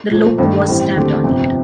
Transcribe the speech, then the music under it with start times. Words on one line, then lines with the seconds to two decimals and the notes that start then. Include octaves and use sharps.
The logo was stamped on it.
0.11 A#2 F3 A3
0.38 G2 D#3 A3
0.68 A1 A2 G3 C4
0.96 D#2 D3 A3 C4 G4
1.24 G1 F2 C3